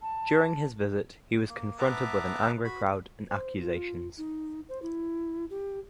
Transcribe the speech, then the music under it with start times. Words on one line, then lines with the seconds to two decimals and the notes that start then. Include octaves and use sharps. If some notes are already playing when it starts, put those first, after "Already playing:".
During his visit he was confronted with an angry crowd and accusations.
0.02 A5
1.49 A#3
1.79 B3 B4 E5 A5 A#5 D6
2.65 F#4 B5
3.30 C5
3.58 F4
4.18 D#4
4.69 C5
4.82 E4
5.50 G4